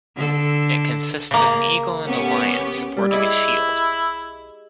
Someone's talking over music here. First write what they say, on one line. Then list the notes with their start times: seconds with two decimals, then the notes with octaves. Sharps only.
It consists of an eagle and a lion supporting a shield.
0.16 D3 A4
1.31 C#3 A#3
2.05 B3 C#4 G4
2.97 G3
3.11 E4 G#4 D#5 D6